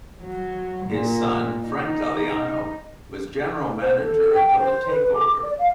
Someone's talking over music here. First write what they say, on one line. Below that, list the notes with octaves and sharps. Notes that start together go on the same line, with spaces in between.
His son, Frank Galliano was General Manager until the takeover.
F#3
A#2
D#4
C5
A4
G5
C5
B4
D6
D5
F5